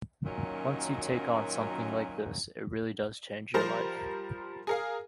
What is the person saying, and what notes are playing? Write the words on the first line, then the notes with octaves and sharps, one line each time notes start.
Once you take on something like this, it really does change your life.
F#2 A#2 D#3 F#3 C#4
F3 G3 A#4 C5 A#5
G#4 A#4 F5